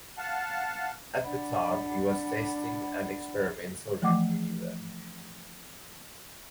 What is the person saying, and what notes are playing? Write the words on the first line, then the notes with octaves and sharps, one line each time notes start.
At the time, he was testing an experimental rebreather.
F5 F#5 A5
D4 D5 F#5 B5
E3 F3 A3 F#5 D6